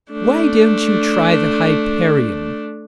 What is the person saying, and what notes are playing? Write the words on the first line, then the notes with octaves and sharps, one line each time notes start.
"Why don't you try the Hyperion?"
A3 D4